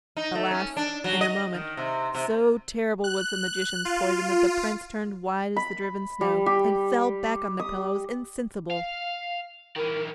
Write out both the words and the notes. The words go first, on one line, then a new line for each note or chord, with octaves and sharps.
Alas, in a moment, so terrible was the magician's poison that the Prince turned white as the driven snow, and fell back on the pillows insensible.
D#4
A3
C#4
D4
F#3
D#5
D#3
C3
C3
F#6
F4
B5
G3
G4
D#6
F5
D#3 E3 A#4